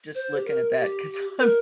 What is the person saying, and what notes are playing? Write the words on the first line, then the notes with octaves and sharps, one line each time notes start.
just looking at that 'cause I'm
C5
G4
A#4
G4
A#4